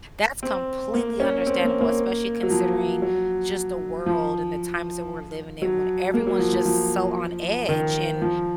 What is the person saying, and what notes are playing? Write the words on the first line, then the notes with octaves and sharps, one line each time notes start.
That's completely understandable, especially considering just the world and the times that we're living in when everyone's just so on edge and
C4
A#3
C#4
C4
A#3
A#3
F#3
F3
F#3
F3
F#3
A#3
F#3
F3
F3
F3
D#3
F3